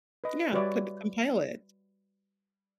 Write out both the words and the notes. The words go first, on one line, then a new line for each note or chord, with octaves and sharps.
Yeah. Put compile it.
B4 D#5
G3 F#4 B4 C#5 D5 E5